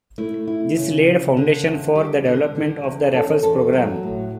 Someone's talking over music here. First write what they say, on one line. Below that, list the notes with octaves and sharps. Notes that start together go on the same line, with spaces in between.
This laid the foundation for the development of the Raffles Programme.
A3 E4
E4
C#3
C#3
D3
E2
G3 G4
D3
D3
E2
C#4 A4
E2 A4
F#3
A2